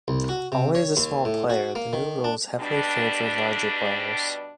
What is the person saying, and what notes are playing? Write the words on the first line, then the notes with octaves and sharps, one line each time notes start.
Always a small player, the new rules heavily favored larger players.
C2
F#4
C3
C#5
D#2
A2
F#4
A#3
D#3
D4
G2 B2 G3 D4